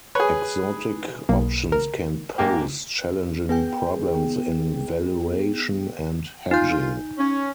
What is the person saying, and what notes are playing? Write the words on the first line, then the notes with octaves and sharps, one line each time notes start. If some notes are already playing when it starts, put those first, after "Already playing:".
Exotic options can pose challenging problems in valuation and hedging.
G#4 B4 C#5
B1 A#3
A#4
G#2 A#3 G4
B3 G#4 G5
D#4 F4 G6
C#4